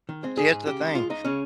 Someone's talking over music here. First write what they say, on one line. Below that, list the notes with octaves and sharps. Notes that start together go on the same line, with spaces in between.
here's the thing.
D#3
G#3 C4
G#2 G#4
G#2
C#3 G4
G#3
C#2 F4
C#2 D#4
C#3 C#4